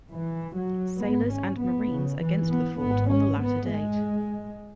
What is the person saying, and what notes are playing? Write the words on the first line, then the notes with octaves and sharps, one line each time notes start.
Sailors and Marines against the fort on the latter date.
E3
F#3
G#1 G#2 B3
C#4
B3
C#3
E3
B3
G#1 G#2 B3
C#4
B3
G#3